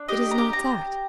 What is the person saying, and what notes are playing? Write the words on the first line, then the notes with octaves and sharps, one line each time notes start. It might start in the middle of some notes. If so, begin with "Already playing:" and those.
"It is not that."
Already playing: D4
G4 D#5
A#5
G4
A#5